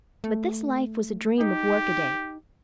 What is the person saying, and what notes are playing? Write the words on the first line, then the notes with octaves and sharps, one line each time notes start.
But this life was a dream of workaday.
A3
D#4 G4